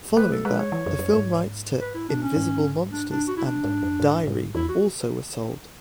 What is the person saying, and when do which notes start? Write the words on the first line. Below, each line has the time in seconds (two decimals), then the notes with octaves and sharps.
Following that, the film rights to "Invisible Monsters" and "Diary" also were sold.
0.17 A3 B4
0.32 A4
0.45 G#3 B4
0.59 C#5
0.72 E3
0.86 F#2
0.99 F#2
1.13 G#2
1.81 B4
1.95 E4
2.09 D4
2.22 C#4
2.36 G#2
2.91 D4
3.10 D4
3.28 F#4
3.37 E4
3.45 D4
3.64 G#2
3.83 F#2
4.00 G#2
4.27 G#2
4.55 E2 E4
4.69 F#4